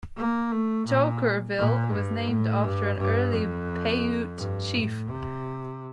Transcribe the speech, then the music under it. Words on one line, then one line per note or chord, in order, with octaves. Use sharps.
Toquerville was named after an early Paiute chief.
A#3
A3
A#2
A#2
G2
A2
G2
G2
F2
G2
A2
C3